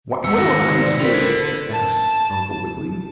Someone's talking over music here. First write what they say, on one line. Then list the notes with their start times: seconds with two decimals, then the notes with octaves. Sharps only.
"What will I see?" asked Uncle Wiggily.
0.24 E2 F#4 E6 C#7
0.38 G#2 D#3 A#6
0.66 D#4 C6
0.81 B4 C5 D5
1.00 G3 C4 F4 A#4 B6 F7
1.14 D3 G#6
1.71 A5